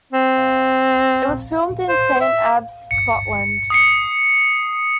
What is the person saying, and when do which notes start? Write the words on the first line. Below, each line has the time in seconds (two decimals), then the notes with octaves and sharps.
It was filmed in Saint Abbs, Scotland.
0.13 C4
1.89 C5
2.21 E5
2.91 C#7
3.70 D#6 C7 C#7